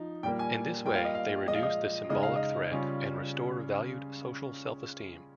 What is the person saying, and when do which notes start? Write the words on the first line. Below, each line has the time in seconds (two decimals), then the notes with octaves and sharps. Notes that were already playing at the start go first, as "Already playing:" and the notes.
In this way, they reduce the symbolic threat and restore valued social self-esteem.
Already playing: F3 D#4
0.23 A#2 G3 A#3 G5
0.39 G#5
0.85 G3 A#3 F4 G5
0.95 F5
1.05 D#5
1.15 F5
1.48 A#2 F3 G#3 D#5
1.55 F5
1.63 D#5
2.09 C#3 G#3 D#4 D#5
2.23 F5
2.36 D#5
2.72 C#3 G3 C#4 F4